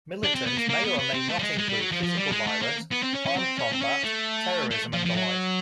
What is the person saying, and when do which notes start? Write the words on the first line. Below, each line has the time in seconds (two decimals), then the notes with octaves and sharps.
Militance may or may not include physical violence, armed combat, terrorism, and the like.
0.24 D4
0.35 C4
0.46 B3
0.57 A#3
0.69 A#3
0.84 B3
0.99 B3
1.14 C4
1.28 A3
1.39 G3
1.43 G#3
1.58 G#3
1.69 G3
1.80 F#3
1.92 F3
2.03 F3
2.17 G3
2.32 G#3
2.47 A3
2.62 A#3
2.92 B3
3.03 C4
3.15 C#4
3.26 C#4
3.37 C4
3.59 C#4
3.72 C4
3.81 C#4
4.03 A3
4.71 A3
4.93 F3
5.05 F3
5.16 F#3